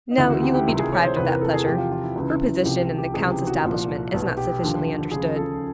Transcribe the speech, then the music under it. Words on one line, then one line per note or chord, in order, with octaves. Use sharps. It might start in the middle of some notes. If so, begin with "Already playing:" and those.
"No, you will be deprived of that pleasure; her position in the count's establishment is not sufficiently understood."
D#4
D2 C#3 E3 E4
F#4
G4
G4
C#2 C3 D#3 E4
G#4
C#5
C5
E2 C3 E3 B4
A#4
A4
G#4
E2 C3 F3 G4
F4
F4
E4
C#2 C#3 E3
C2 C3 F3 G4
G4
G4
C#2 C3 E3 G#4
G4
F#4
C2 A#2 F3
B1 B2
G4
D#2 D3 F3
C#2 C#3 F3 G#4
A4